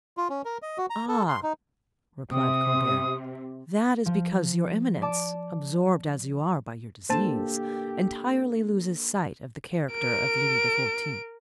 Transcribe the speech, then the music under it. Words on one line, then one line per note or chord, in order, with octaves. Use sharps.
"Ah," replied Colbert, "that is because your eminence, absorbed as you are by your disease, entirely loses sight of the character of Louis XIV."
F4
C#4
A#4
D#5
F#4
A#5
A4
C6
D#4
C3 D#6
F3
D5 A5 D6
A#3 D4 G4 A4 C5 A5
A#4 D7